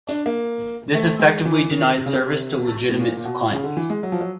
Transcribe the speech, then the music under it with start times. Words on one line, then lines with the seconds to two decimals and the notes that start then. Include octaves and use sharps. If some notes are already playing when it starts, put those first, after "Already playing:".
This effectively denies service to legitimate clients.
0.09 D4
0.26 A#3
0.94 A3
1.19 G#3
1.45 E3
1.71 D#3
1.97 C3
2.06 C#3
2.15 C3
2.90 A2
3.00 A#2
3.17 A#2
3.25 B2
3.51 C#3
3.64 D3
3.77 E3
3.90 G#3
4.03 F#3
4.12 F3
4.21 F#3